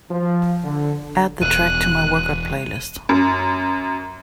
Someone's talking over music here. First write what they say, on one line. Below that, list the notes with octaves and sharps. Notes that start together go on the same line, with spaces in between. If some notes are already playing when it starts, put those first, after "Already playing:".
Add the track to my workout playlist.
F3
D3
E1 F#6 D#7
F#2